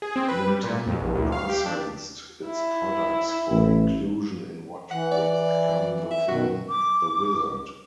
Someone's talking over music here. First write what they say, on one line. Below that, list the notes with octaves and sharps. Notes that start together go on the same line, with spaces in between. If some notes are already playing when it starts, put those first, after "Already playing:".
Nintendo licensed its products for inclusion in what would become the film "The Wizard".
G#4
C4
B4
G3
A#2
F2
A#1
D2
F5
G4
D4
E4
A1
E3 F#5
D5
E5
B2 D#3 F#4
D6